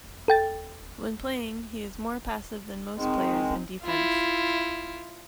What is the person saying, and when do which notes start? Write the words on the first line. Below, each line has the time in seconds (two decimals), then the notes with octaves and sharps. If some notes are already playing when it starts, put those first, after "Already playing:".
When playing, he is more passive than most players in defense.
0.28 A4 G5 A6
2.96 D#3 G#3 C4 D#4
3.83 E4 F4